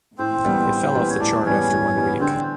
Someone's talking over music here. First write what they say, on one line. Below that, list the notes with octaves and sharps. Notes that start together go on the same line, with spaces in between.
It fell off the chart after one week.
A2 C4 C5
E3 G3 B3
A2
E3 G3 B3
C#5
A2 D4 D5
E3 G3 B3 C#4 C#5
A2
E3 G3 B3
D3 C4 C5